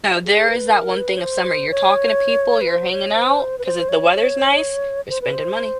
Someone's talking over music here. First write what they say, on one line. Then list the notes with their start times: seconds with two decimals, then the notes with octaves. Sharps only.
So there is that one thing of summer. You're talking to people, you're hanging out, 'cause if the weather's nice, you're spending money.
0.26 G#4
0.50 B4
0.74 A#4
0.98 B4
1.17 C#5
1.23 C5
1.71 C#5
2.61 B4
2.68 C5
2.92 C#5
3.16 C5
3.59 B4
3.65 C5
3.89 C#5
4.14 C#5
5.10 C5
5.22 B4
5.34 C5